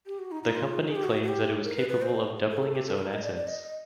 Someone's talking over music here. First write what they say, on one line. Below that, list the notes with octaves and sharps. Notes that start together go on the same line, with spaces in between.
The company claims that it was capable of doubling its own assets.
G4
F#4
D#4
D#4
F4
G#4
G4
F#4
F#4
G4
A#4
B4
B4
C5
A4
G#4
A4
G4
A4
A#4
D#5
D5
D5
D#5